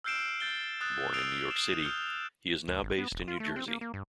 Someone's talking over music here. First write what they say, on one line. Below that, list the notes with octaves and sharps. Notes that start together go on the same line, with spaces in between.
Born in New York City, he is now based in New Jersey.
E6 F6 G6 C7 D7 E7
G6 A6 G7
D#6 F#6 A6
D#6 E6 C7 D7 F7
E7
D#6 F6 G6 F7 G7
D2
G#1
B3
E1
F4
A3
C4
A#3
A#3
G2